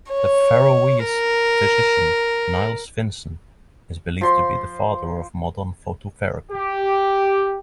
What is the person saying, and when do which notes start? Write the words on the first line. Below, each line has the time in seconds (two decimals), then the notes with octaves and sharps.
The Faroese physician Niels Finsen is believed to be the father of modern phototherapy.
0.12 C#5
1.05 A#4
4.21 F3 C6
6.52 G4